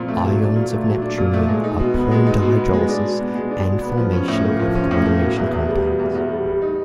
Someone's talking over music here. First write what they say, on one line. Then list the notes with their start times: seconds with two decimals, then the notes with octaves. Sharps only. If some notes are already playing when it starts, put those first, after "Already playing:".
Ions of neptunium are prone to hydrolysis and formation of coordination compounds.
Already playing: A#2 F3 C4
0.08 A3
0.24 F#3
0.39 D4
0.56 A#2
0.71 A3
0.86 F#3
1.02 D4
1.17 A#2
1.33 A3
1.48 G#3
1.64 D#4
1.79 B2
1.95 B3
2.11 G#3
2.27 D#4
2.42 B2
2.57 B3
2.73 G#3
2.89 D4
3.04 B2
3.20 B3
3.35 G#3
3.51 D4
3.66 B2
3.82 B3
3.97 F3
4.13 C#4
4.28 A2
4.44 A#3
4.59 F3
4.75 C#4
4.91 A2
5.06 A#3
5.22 B2
5.37 E2
5.53 E2
5.68 G3
5.83 B2
5.99 E2
6.15 E2
6.30 G3
6.46 G3
6.62 D#4